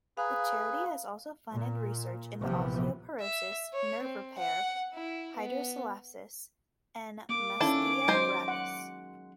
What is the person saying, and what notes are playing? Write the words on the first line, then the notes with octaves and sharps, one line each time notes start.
The charity has also funded research into osteoporosis, nerve repair, hydrocephalus and myasthenia gravis.
G#4 B4 F5 A#5
A#2
A#1 C3 E3 F3 B3
E5
C#5
C4
F#5
E4
B3
A#3 D6
D#3 C#4 D4 E4 A4
F#3 G#3 C5
F#5